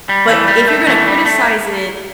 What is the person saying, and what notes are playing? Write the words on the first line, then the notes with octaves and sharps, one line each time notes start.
but if you're gonna criticize it,
G3
E2 E3 A3
G3
A3
E2 E3 A3
G3
A3